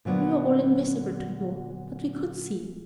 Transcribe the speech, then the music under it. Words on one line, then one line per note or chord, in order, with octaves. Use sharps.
We were all invisible to you; but we could see.
A#2 D3 F#3 B3